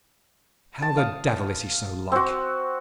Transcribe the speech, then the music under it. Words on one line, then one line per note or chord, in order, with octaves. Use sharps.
How the devil is he so like?
A5
F5 D#6
C4 F#4